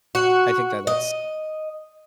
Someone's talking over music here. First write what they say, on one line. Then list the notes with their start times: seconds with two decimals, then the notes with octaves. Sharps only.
I think that that's
0.15 F#4
0.87 D#5